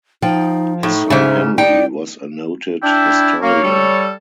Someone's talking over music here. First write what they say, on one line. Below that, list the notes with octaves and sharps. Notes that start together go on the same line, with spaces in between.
His son Henry was a noted historian.
F3 D#4 G5
A2 D#4
G#2 C#3 C5 E5 G#5
D#4 D5 G5
D4 E4 G5
A#3 C#5
G3 A4